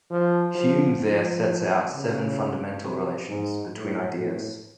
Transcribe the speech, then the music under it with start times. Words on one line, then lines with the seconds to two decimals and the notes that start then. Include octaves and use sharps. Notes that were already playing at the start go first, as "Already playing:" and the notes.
Hume there sets out seven fundamental relations between ideas.
0.10 F3
0.55 F3
1.01 F3
1.91 C#3
2.82 C3
3.28 G#2
3.73 A2
4.17 A2